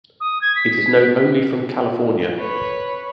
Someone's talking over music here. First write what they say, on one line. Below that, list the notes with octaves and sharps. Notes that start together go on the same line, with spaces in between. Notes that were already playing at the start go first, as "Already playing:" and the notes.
It is known only from California.
D#6
G#6
B6
B4 C#5